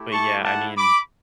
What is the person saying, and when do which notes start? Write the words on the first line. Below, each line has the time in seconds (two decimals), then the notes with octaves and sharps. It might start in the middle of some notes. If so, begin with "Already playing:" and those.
But, yeah, I mean,
Already playing: A3 E4 G4
0.13 A5 C#6
0.45 F#5 A5
0.76 B5 D6